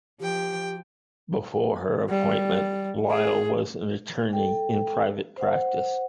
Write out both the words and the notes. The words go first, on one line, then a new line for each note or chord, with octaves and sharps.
Before her appointment, Lyle was an attorney in private practice.
F3 G4 G5
G3
G#4
A4 G5
C5 F#5